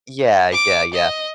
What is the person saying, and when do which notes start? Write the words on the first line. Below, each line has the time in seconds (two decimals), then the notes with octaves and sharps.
Yeah, yeah, yeah.
0.53 D6
0.93 D#5